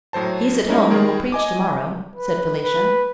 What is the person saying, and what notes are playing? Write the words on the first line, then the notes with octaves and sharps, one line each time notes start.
"He is at home and will preach tomorrow," said Felicia.
A2 F#3 C5 A5
G#3 C#4 D#4 E4 A#4
D#3 G#3 G#4 A#4
D#5 G#5 D6
B4
B4